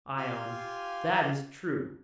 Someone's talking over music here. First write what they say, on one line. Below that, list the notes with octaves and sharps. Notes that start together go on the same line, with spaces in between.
ION: That is true.
F4 G4 F5 G#5 C6